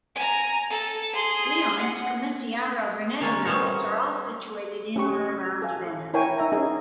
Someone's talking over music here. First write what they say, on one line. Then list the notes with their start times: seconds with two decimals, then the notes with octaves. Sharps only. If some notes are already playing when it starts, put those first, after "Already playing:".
Leon's Commissario Brunetti novels are all situated in or around Venice.
0.16 G#5 A#5
0.70 A4
1.13 G#4 C6
1.79 F#5
3.20 D3 G#3 A#3 C#4 F4 C#5
3.45 G3 B3 C#4 C5 C#5
4.96 C#4 G4 C#6
5.62 A4 F5 G#5
6.14 E4 A#4 C#5 G5 G#5
6.38 D#4 E5 A#5
6.52 C#4 D#4 G#4 G#5